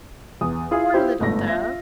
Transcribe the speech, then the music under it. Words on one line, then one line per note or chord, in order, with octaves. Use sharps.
Poor little Dove!
E2 D#6
E4 F4 G#4
E4 F4 G4 C5
G1 G#2 A3 A#6
F4 E5 A#6